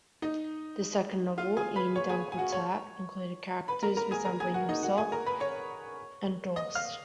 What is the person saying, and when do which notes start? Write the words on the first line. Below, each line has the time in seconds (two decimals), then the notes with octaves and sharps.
The second novel, "Eine dunkle Tat", included characters resembling himself and Droste.
0.22 D#4 D#5
1.38 F4 F5
1.57 G#4 G#5
1.76 B4 B5
1.96 C#5 C#6
2.09 G#4 G#5
2.32 G#5
2.38 F#4 F#5
2.52 C#5 C#6
3.68 B4 B5
3.83 A#4 A#5
3.97 A#4 A#5
4.11 G#4 G#5
4.25 A#4 A#5
4.40 G#4 G#5
4.54 F#4 F#5
4.69 D#4 D#5
4.83 F#4 F#5
4.98 G#4 G#5
5.12 A#4 A#5
5.26 B4 B5
5.40 C#5 C#6
6.56 D#5 D#6
6.75 F5 F6